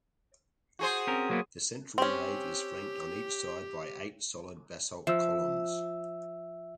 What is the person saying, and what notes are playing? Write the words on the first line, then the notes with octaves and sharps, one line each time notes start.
The central nave is flanked on each side by eight solid basalt columns.
F#4 G#4 C5
C4 C#4 A#4
F#3 A#3 B3
C4 C#4 G4
F3 E5 E6